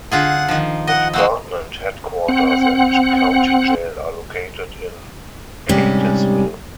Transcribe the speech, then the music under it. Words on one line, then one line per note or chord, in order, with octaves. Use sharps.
The department headquarters and county jail are located in Keytesville.
D3 F4 G#4 F#5
D#3 F3
D#5 F#5
G#3 A#3 C4 F#5
C4 F#5
G#2 C3 G3 C#4